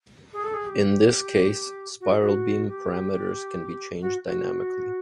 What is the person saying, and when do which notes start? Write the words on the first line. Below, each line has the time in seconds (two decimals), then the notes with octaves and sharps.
In this case spiral beam parameters can be changed dynamically.
0.33 G#4
0.43 A4
0.54 G#4
0.66 G4
2.00 F#4
2.21 F#4
2.68 G4
4.01 F#4
4.27 F#4